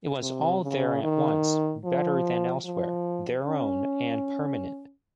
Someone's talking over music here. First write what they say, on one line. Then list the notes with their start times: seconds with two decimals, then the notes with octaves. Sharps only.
It was all there at once, better than elsewhere, their own, and permanent.
0.22 C3
0.63 C#3
1.03 D#3
1.85 F3
2.65 F3
3.47 C#4